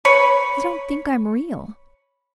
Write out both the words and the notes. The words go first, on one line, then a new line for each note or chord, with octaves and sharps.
They don't think I'm real.
B4 C#5 B5